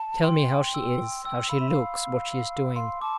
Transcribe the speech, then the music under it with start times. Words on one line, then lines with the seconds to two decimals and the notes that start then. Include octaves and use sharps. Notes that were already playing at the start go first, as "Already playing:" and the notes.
Tell me how she is, how she looks, what she is doing.
Already playing: A5
0.24 G5 C6
0.74 E6
1.25 G5 E6
1.50 F5 B5
1.60 E5
1.70 F5
2.76 F5 C6
3.02 A5 D6